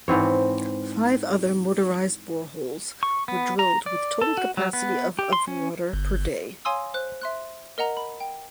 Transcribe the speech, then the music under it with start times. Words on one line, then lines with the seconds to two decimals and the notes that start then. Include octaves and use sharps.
Five other "motorised boreholes" were drilled with total capacity of of water per day.
0.08 G#2 E3 C4 C#5
3.03 C#6
3.28 B3
3.59 A#5
3.86 D5
4.21 A4
4.37 F#4
4.57 F#3
4.73 B3
5.19 G4
5.33 C6
5.48 C#4
5.93 G1
6.65 C#5 F5 G#5 C6 D#6 E6
6.94 C5 F#6
7.21 E5 C6 F#6
7.78 A#4 D#5 F#5 A#5
7.97 B5
8.20 G5